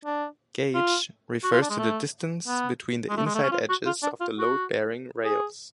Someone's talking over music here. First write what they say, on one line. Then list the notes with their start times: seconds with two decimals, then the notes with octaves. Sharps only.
"Gauge" refers to the distance between the inside edges of the load-bearing rails.
0.05 D4
0.74 F4
1.43 F#4
1.52 F4
1.62 D4
1.70 G#3
1.79 A3
2.47 B3
3.09 G#3
3.17 A3
3.26 G#3
3.34 A3
3.43 C#4
3.52 F4
3.69 F#4
3.86 F4
4.03 D4
4.21 F4
4.38 F#4
5.25 G#4